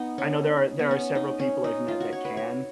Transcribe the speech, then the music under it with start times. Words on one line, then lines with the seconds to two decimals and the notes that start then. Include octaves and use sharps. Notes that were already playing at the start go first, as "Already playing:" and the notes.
I know there are there are several people I've met that can,
Already playing: B3 D#4
0.18 C#4
0.79 B3
0.91 C#4
1.15 D#4
1.40 C#4
1.64 D#4
1.88 F4
2.00 F#4
2.13 C#5
2.25 B4
2.37 C#5